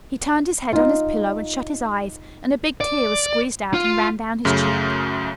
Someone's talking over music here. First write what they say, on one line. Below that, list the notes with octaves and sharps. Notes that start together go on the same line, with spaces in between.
He turned his head on his pillow and shut his eyes and a big tear was squeezed out and ran down his cheek.
D#4 F4
D5
F4
F#2 C#3 A3